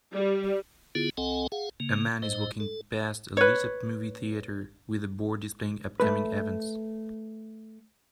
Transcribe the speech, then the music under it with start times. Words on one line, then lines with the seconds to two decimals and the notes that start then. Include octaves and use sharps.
A man is walking past a lit up movie theater, with a board displaying upcoming events.
0.14 G3
0.95 D3 B3 E4 F4 G#4
1.17 C2 C4 A4 D#5 F#5 G#5
1.52 G#4 F5 F#5
1.80 C#3 A#3
2.22 A2 C5 D#5
2.60 A4
3.37 B4 C#5
6.00 A3 B4